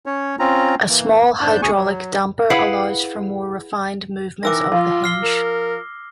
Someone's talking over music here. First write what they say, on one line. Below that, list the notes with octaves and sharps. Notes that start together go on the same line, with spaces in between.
A small hydraulic damper allows for more refined movements of the hinge.
C#4 C#5
C4 C#4 F4 A#5
E3 A#3
G#2 D4 A5 G6
D2 G#4 G#5 C#6
F#3
E4 G#4 B4 F5 F#5
D#3 E3 A#4 D6 E6 A#6
F3 F4
F6 C7 G7
A#4